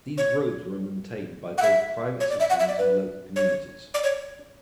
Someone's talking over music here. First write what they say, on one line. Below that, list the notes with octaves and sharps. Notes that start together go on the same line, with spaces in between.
These roads were maintained by both private citizens and local communities.
C#5
F#5
E5
C#5
D5
E5
F#5
E5
D5
B4
C#5
D5
C#5